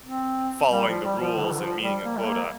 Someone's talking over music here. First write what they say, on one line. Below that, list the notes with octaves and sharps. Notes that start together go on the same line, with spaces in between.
following the rules and meeting a quota.
C4
G3
F3
G3
F3
D3
F3
D3
F3
G3
A#3
G3
A#3